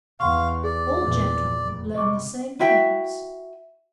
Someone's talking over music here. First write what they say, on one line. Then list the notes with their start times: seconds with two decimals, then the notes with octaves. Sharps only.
"All gentlemen learn the same things."
0.20 E2 F5 F#5 C6 C#6
0.64 G#4 D5
1.01 A#1 E2
1.63 F1
1.94 C3 G3 D#5 C#6 D6
2.59 E4 F#4 E5 G5